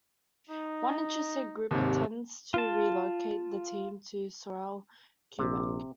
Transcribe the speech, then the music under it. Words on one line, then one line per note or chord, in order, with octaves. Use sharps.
One interested group intended to relocate the team to Sorel, Quebec.
D#4
D#2 G#2 C3
F4 A5
A#1 C3